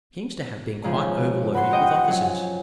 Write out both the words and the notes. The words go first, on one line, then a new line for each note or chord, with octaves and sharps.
He seems to have been quite overloaded with offices.
G#2 C#3 F3
F#5 B5 C6
G4 D#5 G5
F3 F#3 C#4